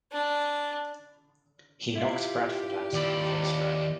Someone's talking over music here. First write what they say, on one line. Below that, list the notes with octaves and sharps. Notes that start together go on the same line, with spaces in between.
He knocked Bradford out in the first round.
D4
E4 F4 G4
D#2 D5 B5